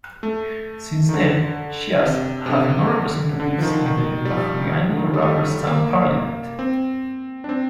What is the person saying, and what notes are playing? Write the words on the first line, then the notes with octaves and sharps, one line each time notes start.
Since then, Shias have no representatives in the Bahraini rubber stamp parliament.
A3
D#3
D3
C3
C3
D3
D3
F3
D#3
D#3
G3
F3
D3
D#3
F3
G3
A3
A#3
C4
D4
C4